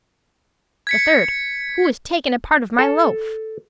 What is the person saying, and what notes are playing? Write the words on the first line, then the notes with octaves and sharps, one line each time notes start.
The third, "Who has taken part of my loaf?"
G#6 B6 C#7
A4